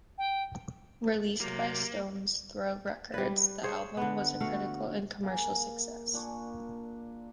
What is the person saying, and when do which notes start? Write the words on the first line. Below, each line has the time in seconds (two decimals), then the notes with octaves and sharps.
Released by Stones Throw Records, the album was a critical and commercial success.
0.18 G5
1.41 C3 F#3 A#3
3.14 G3 B4
3.63 G#4 C5 C#5
3.97 D3 B3
4.41 A3 F#4 F5 F#5
5.24 A#3 G#4 A#4 F5
6.14 A#2 D4 G#5 C#6